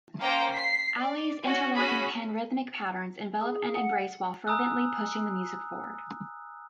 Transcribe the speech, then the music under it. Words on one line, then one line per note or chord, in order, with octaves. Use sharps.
Ali's interlocking pan-rhythmic patterns envelop and embrace while fervently pushing the music forward.
A#3 C#4 C5 F5 G5 A#5
B6 C7
D5
C#4 F#4
C#4 F#4 G#4 B5
G#4
F#5
G#5 A#5 D#6 E6 F#6